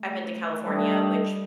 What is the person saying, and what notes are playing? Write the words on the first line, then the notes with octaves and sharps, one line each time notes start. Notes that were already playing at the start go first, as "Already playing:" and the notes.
I've been to California, which,
Already playing: A3
G3 A3 D4 A4 D#5 G5